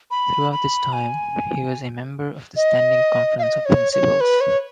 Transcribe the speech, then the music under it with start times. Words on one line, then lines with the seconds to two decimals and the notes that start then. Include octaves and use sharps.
Throughout this time, he was a member of the Standing Conference of Principals.
0.11 B5
0.52 B5
0.93 G#5
2.56 D#5
3.39 F5
3.43 D#5
3.66 C#5
3.93 C#5
4.21 B4
4.41 C#5